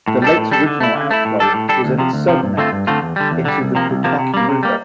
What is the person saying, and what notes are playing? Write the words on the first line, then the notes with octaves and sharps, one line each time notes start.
The lake's original outflow was at its southern end, into the Pukaki River.
A2
G3 D4 A4
A2
G3 D4 A4
D3
A3 E4
D3
A3 E4
A2
G3 D4 A4
A2
G3 D4 A4
D2
C3 F3
D2
C3 F3
G2
D3 A3 C4 F4
G2
D3 A3 C4 F4
E2
D3 G3
E2
D3 G3
C2
C3 F3 A#3
C2
C3 F3 A#3
C3
G3 A#3
C3
G3 A#3